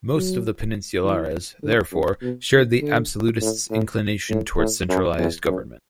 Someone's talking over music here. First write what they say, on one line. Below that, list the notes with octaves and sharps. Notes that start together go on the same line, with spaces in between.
Most of the "peninsulares", therefore, shared the absolutists' inclination towards centralized government.
F#3
E3
D3
F#2
B2
D3
D3
A2
A2
A2
A2
F#2
E2
F#2